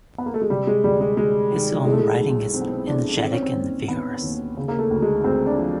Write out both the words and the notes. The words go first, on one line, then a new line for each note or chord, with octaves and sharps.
His own writing is energetic and vigorous.
B3
A#3
A3
G#3
C3 G3
G#3
D2 G3
G#3
D2 G#3
D#3
A2 G#3
A3
G#3
B1
B1 C4
B3
C4
E3 D4
D#3 C4
C#4
C4
D#2
D#3 B3
D#2
C#3
A#3
A3
D2
G#3
D2 C4
D4
F3